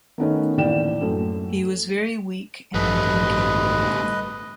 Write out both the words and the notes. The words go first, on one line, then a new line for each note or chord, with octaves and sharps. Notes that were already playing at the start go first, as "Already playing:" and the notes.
He was very weak and incapable.
D#3 A3 B3 C#4 D#4
A1 D#2 E4 D5 G5 E7
F#2 A3
A1 G2 G3 A3 B4 D#5